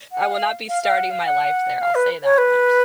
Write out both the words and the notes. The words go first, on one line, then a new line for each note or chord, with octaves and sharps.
I will not be starting my life there, I'll say that much.
F#5
F5
F5
F5
F#5
F5
F#5
F5
B4
C#5
B4